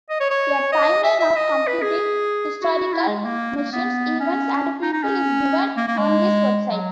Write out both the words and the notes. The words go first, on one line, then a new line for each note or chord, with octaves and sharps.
A timeline of computing historical machines, events, and people is given on his website.
D#5
C#5
C#5
D#5
E5
E5
D#5
B4
G#4
F#4
E4
G#3
A#3
A#3
B3
C#4
D#4
D#4
C#4
A#3
A#3
G#3
F#3